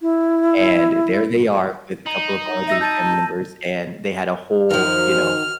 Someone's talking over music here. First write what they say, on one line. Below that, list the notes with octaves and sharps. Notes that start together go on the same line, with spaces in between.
and there they are with a couple of our other family members, and they had a whole, you know,
E4
D#4 A#5 F#7
E5 E6 A#6 D#7
A5 G6 A6 D#7
F#2 D#3 F3 F#4 F6